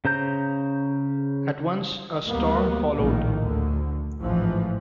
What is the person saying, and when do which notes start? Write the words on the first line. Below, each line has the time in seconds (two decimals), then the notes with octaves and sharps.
At once, a storm followed.
0.05 C#3 C5 A#5 G6
2.27 D2 G3 A#3 B3
2.95 A#1 A2 D#3 A#3
3.41 D2 D3
4.19 A1 G#2 E3 F3